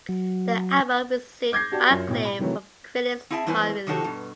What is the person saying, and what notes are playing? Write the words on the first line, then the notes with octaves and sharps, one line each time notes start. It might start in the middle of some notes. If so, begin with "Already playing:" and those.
The album received acclaim from critics upon release.
F#3
D6 G6 G#6 A#6 C7
F#4 G4 D5 A5
F#2 F4
A1 B2
B5
C3 D#3 E3 F#3 A3
C4 E4 G#4 E5 G#5 A5
E2 G3 E4 B4 C5 G#5
C3 D#3 D#4 F#4 G4 A4
G2 B2